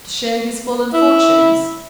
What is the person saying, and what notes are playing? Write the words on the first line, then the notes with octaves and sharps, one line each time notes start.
"To share his fallen fortunes?"
E4